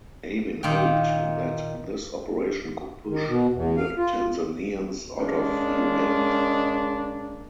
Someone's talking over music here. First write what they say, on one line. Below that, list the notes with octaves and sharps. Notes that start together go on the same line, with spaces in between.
Amin hoped that this operation could push the Tanzanians out of Uganda.
A#2 D#3 F4 G5
D#3
B2
E2
F5
F4
G#3 A#3 C#4 D4